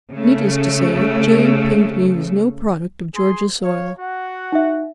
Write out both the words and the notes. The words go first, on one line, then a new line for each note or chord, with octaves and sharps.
Needless to say J. Pinkney was no product of Georgia soil.
C#3 A3
G#4 C6
C#5 F5
F#4 F#5
D#4 E5